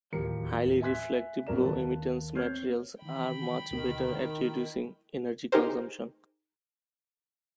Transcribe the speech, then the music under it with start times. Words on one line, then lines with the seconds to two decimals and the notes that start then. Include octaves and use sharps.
Highly reflective, low-emittance materials are much better at reducing energy consumption.
0.12 D1 D#2 F3 G4 A#4 C#7
0.81 E5 G#5 C6 F#6 B6
1.47 B1 F2 F#3 A#4 D5 E7
1.65 D#2 A5
2.35 C4 C#5 F6 G6 G#6 C7
3.02 D#3 E3 G5 B5
3.71 D2 B2 D3 D#3
4.38 E4
5.52 D#4 G4 G#4 A#4 C5